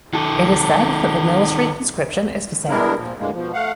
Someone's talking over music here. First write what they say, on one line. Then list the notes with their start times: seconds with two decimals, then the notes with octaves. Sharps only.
It is said that the military conscription is the same.
0.14 D#3 A4
2.69 G3 G#3 B3 D4 E4 A#4
2.97 A#2 F3
3.19 D#2 A2 D3 G#3 A#3
3.33 B2 F3
3.54 A3 F5 F#5